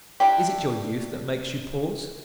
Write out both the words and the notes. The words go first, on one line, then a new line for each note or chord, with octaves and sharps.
Is it your youth that makes you pause?
D4 E4 G4